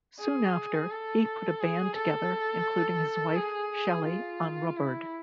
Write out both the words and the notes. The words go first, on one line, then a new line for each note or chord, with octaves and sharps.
Soon after, he put a band together, including his wife, Shelly on rubboard.
G#4
A4
G#4
A4
G#4
F4
E4